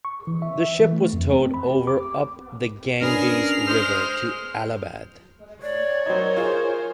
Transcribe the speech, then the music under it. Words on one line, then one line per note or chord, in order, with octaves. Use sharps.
The ship was towed over up the Ganges River to Allahabad.
C#6
E3
E5
E5
E3
A3
F2
C4
B5
G4
D6
C#4 D4 G#4 A#4 B4 C7 F7
G#3 C5 D#5 F6
C#5 D5
F#3 D#4 A#4 C5
F4 G#4